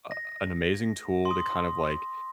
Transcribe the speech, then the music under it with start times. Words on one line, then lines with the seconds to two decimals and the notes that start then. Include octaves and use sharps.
uh, an amazing tool to kind of, like,
0.11 A#6
1.25 C6
1.31 D#6